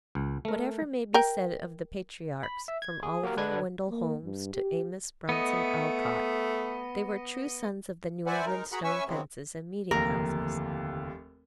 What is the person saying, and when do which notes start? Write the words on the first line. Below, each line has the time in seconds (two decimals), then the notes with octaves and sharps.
Whatever may be said of the patriarchs, from Oliver Wendell Holmes to Amos Bronson Alcott, they were true sons of the New England stone fences and meeting houses.
0.15 C#2
0.45 A3 A#4
1.14 A#4 G5
2.43 B5
2.68 E5
2.82 G#6
3.03 G#4
3.23 A#3 F#4 G4 A#4
3.37 D3 D4 B4 G#6
3.89 A#3
4.24 G2
4.54 G4
5.29 A3 B3 D#5
8.27 B4 C5 D5 E5 F#5 G#5
8.46 G#3 D#4 A#4
8.72 F#4 G#4 A#4 F#5 B5
8.84 C#4 B4 E5 G#5 C#6 E6
9.07 C#3 F3 F#3 G#3 B3 C4
9.91 F1 D#2 D3 E3 F3 A#4